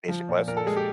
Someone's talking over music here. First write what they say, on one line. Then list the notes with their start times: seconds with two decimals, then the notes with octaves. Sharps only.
basic lessons,
0.09 F3
0.29 A#2
0.47 A#2 A#4
0.57 A4
0.66 G#3 G#4
0.76 G4